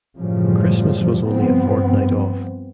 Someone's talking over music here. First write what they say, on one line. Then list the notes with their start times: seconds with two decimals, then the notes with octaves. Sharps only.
Christmas was only a fortnight off.
0.18 F#2 A2 C#3 E3 F3 G3
1.27 G2 F3 B3 C4